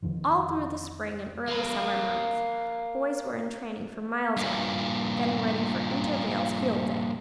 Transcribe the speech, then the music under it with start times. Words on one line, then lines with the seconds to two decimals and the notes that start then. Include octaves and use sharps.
All through the spring and early summer months, boys were in training for miles around, getting ready for Intervale's Field Day.
0.03 F2 D3 D#3 F3
1.48 A#3 B4
4.37 G2 A#2